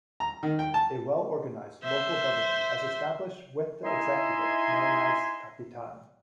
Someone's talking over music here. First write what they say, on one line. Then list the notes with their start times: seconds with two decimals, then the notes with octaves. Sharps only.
A well organized local government as established with the executive known as "Capitan".
0.20 A#5
0.43 D#3
0.59 G5
0.74 A5
1.83 C5 E5
3.84 D#4 E4 D#5 E5 G#5 C6